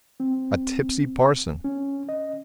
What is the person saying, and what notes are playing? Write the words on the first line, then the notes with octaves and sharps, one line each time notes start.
"A tipsy parson."
C4
C#4
D#5